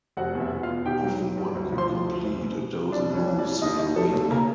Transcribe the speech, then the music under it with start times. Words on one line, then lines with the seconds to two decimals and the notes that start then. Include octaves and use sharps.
Often one could complete a dozen moves in a week.
0.17 F1 F#4 F#5
0.35 E2
0.40 E4 E5
0.52 E2
0.63 F4 F5
0.69 B2
0.86 D#3 G4 G5
1.03 F#3
1.21 F#3
1.37 G2
1.55 D2
1.72 F3
1.78 C5 C6
1.89 F3
2.07 D2
2.24 F#1
2.41 E3
2.59 E3
2.76 C3
2.92 C2 D4 D5
3.04 D5
3.10 C2
3.15 C#4 C#5
3.27 C2
3.39 D4 D5
3.45 C2
3.62 D#2 D#4 D#5
3.79 D#3 D#4 D#5
3.96 G3 A3 A4
4.13 D#2 A3 A4
4.31 C#3 A#3 A#4